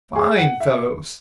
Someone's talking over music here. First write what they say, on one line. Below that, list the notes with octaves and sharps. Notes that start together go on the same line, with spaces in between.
Fine fellows!'
G#4
F#5
E5